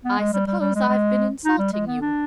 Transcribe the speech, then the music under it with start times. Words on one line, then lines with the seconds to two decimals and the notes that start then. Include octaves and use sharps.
I suppose I've been insulting you.
0.05 B3
0.18 G#3
0.33 G3
0.47 G3
0.60 G3
0.75 G#3
0.89 G#3
1.45 D#4
1.59 G3
1.72 G#3
1.87 B3
2.01 D4